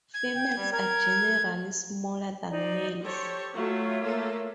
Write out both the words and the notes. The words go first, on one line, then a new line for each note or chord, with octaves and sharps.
Females are generally smaller than males.
G#6
G5
G3
A#4 G#6
D#4 C5 D5
G4 A4 C5 C#5 C#6
F#3 A3 F4 C#5 E5
A3 A#3 A4